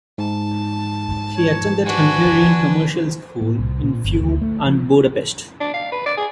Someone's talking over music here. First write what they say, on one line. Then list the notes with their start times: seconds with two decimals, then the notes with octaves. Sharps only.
He attended Hungarian Commercial School in Fiume and Budapest.
0.18 G#2 A5
1.37 C#5
1.86 D4 F#4 B4 G#5
3.41 A#3
3.59 C2
3.83 A#2
4.04 G1
4.20 D2
4.42 A3
4.66 F3
5.60 D4
5.74 F5
5.92 B4
6.06 D5
6.17 G#4